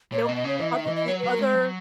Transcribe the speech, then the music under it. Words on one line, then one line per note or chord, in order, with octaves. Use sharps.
They'll g other The other
A#2 C#5
D#5
B2
D#5
C#3 C#5
E3 D#5
D#3 E5
D#5
E3
D#5
F#3 C#5
B4
F#3
A#4
G#3
F#3